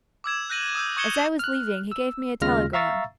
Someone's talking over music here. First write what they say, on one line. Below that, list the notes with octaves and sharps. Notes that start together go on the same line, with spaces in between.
As I was leaving he gave me a telegram.
D6 E6 G#6 E7
F#6 G6 A#6 D#7 F#7
D#6 E6 G6
C#6 D#6 G#6 C#7 E7 G7
F6 F#6
E6
D#2 C#3 G#3 F4 F6 A#6
E5 F5 A#5 C#6 E6 A6